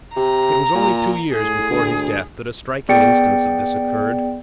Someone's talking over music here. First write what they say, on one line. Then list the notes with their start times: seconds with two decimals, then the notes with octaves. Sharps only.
It was only two years before his death that a striking instance of this occurred.
0.16 C3 A#5
0.75 A#2
1.33 A2 G#4
1.71 D2
2.89 B3 G#4 D5 G5 C#7